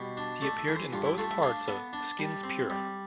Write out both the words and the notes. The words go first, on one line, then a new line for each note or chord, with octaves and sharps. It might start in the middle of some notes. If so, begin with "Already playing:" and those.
He appeared in both parts of "Skins Pure".
Already playing: B2 G3
D4
A3 D5
E5
E3
C5
G2 F4
E4
A3 F4
E5
D4 F5
B3
D4
G3
C4
G3